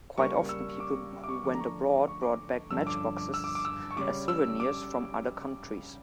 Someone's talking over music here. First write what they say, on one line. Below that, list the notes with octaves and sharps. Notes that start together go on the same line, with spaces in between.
Quite often people who went abroad brought back matchboxes as souvenirs from other countries.
C#3 G3 A#3 C#6
E6
D6
D6
C#6
D3 F3 A3 D4 D6
A#5
C#6
C#6
D6
G2 D3 F3 C#4 E6
D6
D6
E6
D6
D6
E6
C#6
C#3 G3 C#4 D6
E6
D6